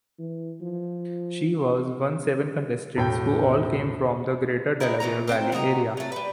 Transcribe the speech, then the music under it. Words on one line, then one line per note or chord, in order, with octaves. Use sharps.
She was one seven contestants who all came from the greater Delaware Valley area.
E3
F3
E1 A2 G5 G6
G3 G#3 E4 A#4
B2 E3 C#4 A#5
A#3 C4 C5 G5
C3 F#4 D#5 A#5
F#3 A3
G3 B4